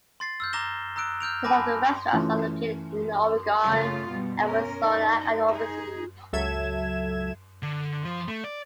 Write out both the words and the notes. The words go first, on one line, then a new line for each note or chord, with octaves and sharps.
Some of the restaurants are located in Oregon, Arizona, and overseas.
C6 A6 C7
E6 F6 G6
A#5 D6 A#6 E7 G7
A#5 D#6 E6 F#6 D7
F6 G6 D7 F7
G#5 A5 B5 D6 A#6
E3 A3 C#4 F4
C#3 A3 F4
B2 G3
C#4 A#4
D#4 D5
D#4 G#4
C#2 F#3 A4 E5 G#6 E7
D3
F3
A3
D5